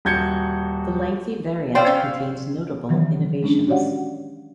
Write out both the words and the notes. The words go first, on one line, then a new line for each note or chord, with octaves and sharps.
The lengthy variant contains notable innovations.
D#1 F#4 G6 G#6 C#7
C5 D5 E5 F5 G5 C6
C#4
D#3 E3 F#3
G#3 C#4 D4
F#4 G4 C#5 D5 F5 F#5